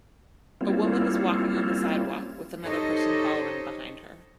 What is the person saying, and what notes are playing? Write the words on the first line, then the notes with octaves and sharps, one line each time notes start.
A woman is walking on the sidewalk with another person following behind her.
G3 A#3 C4 C#4 E4 F4
D#4 G4 A4 C5 C#5 D#5